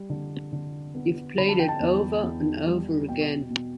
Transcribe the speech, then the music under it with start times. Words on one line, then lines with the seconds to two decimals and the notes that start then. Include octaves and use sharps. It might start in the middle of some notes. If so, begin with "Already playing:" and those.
You've played it over and over again.
Already playing: G3
0.10 D3
0.53 D3
0.95 B3
1.38 D3 B5
1.49 A5
1.59 G5
1.68 A5
1.80 E2
2.23 E2
2.66 G3
3.09 B2 G5
3.50 B2